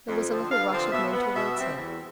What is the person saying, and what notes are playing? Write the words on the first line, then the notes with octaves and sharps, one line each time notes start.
There was a little rush of men towards her.
F2
D3 F3 C4
G2 F5
D3 F3 C4
B2 E5
B3
B2 E5
G3 C4
E2